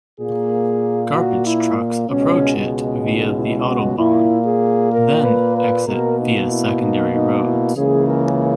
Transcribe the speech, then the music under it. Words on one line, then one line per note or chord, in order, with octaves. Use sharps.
Garbage trucks approach it via the autobahn, then exit via secondary roads.
A#2 A#3 G#4
F#4
E4
C#2 B2 G#3 C#4
D#4
E4
F#4
A#2 A#3 E4
G#4
A#4
B4
B4
B2 A#3 A#4
D#4
E4
D#4
D#4
E4
C#2 C#3 E3 A#3 G#4
A#4